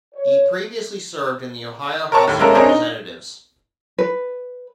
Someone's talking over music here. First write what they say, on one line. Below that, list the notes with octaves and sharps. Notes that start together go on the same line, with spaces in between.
He previously served in the Ohio House of Representatives.
C#5
A#4 C#5 A5 C#6
D#2 A2
G#3 A#3 C#4 E4 A4 A#4
C4 D4 G#4 A#4 C#5 D#5
D#4
B4